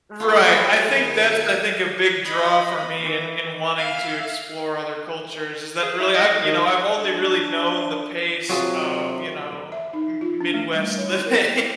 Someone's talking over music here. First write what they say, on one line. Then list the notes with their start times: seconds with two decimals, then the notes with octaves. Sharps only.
Right, I think that's I think a big draw for me in in wanting to explore other cultures is that really I've you know, I've only really known the pace of, you know, M Midwest living
0.20 A#2 A3 A#3 F4 G#4 B4
0.52 F#3 E4 F4 G#4
0.88 B1 D#3 A#4
1.29 E5 G#6 C#7
2.25 D#5 B5
3.03 E3
3.77 E5 F5
5.83 G#4
5.99 E4
6.15 D#5
6.43 D#3
6.98 D4
8.49 C3 F#3 F4 G#4
9.72 E5
9.93 D#4
10.21 F4
10.41 D4
10.54 A3
10.73 G3
10.97 C#5
11.11 E4
11.26 A#4
11.49 G5